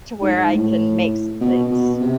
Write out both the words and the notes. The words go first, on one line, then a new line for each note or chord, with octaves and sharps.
to where I can make some things.
G#2
A2
B2
B2
C3